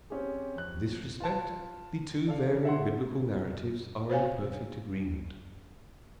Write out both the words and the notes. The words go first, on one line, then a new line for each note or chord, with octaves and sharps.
In this respect the two variant Biblical narratives are in perfect agreement.
C4 C#4 G4 G#4
F2 F#6
F4 B4 A5
D4 A4 F5
E5 F#5 C6
C5 C#5 F5 G#5